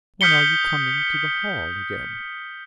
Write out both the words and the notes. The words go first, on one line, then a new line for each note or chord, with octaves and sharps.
'When are you coming to the hall again?'
D#6 F6 G6 B6 C#7 G7